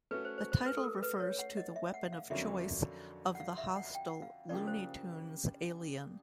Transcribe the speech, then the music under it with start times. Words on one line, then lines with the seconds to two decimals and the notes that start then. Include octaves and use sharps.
The title refers to the weapon of choice of the hostile Looney Tunes alien.
0.11 A3 C#4 F#4 B4
0.25 C5
0.38 C5
0.52 C5
0.66 B4
0.77 A4
0.84 A#4
1.03 B4
1.20 C#5
1.39 F#5
1.57 D#5
1.76 E5
1.94 F#5
2.13 F5
2.30 F2 D3 F#3 A#3 C#4 E5
3.35 F#5
3.40 F5
3.58 E5
3.76 F#5
3.95 G5
4.08 F#5
4.22 F5
4.49 C#3 F3 A#3 D4 G4 D5
4.67 C5